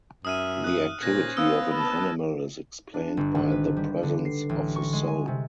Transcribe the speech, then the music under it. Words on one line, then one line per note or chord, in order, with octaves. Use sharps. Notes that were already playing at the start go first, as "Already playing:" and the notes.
The activity of an animal is explained by the presence of the soul.
F#2 E5 D#6 F6 D#7
D#6 F#6
A#2 C#4 C5 F#6 G#6 A#6
B3 F5 D#6 E6
B4 A5 B5
D4
G1
G#1
B4
G3
D3
C7
A1
C#6
G#3
G#5
C3